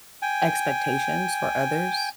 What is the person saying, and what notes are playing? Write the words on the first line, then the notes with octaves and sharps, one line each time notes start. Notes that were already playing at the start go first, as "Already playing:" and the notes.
expectations for others,
G5 G#5